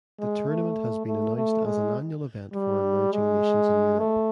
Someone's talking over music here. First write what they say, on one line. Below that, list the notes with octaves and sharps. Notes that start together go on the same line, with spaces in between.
The tournament has been announced as an annual event for emerging nations in Europe.
G#3
A3
A3
A3
G#3
G3
G#3
A3